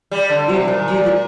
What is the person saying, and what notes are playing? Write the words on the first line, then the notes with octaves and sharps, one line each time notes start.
do do the
G3
D3
C3
A#2